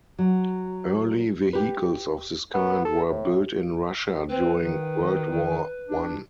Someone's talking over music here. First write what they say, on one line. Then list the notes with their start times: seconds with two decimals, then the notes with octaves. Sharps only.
Early vehicles of this kind were built in Russia during World War One.
0.19 F#3
1.53 G4 B4
2.54 B3
2.85 A4
3.10 A2
4.29 C4 B4
4.61 D#3
5.88 D4